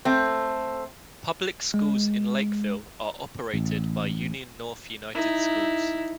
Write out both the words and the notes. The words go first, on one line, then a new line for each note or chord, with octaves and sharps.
Public schools in Lakeville are operated by Union-North United Schools.
A3 C4
G#3
A1
D#4 E4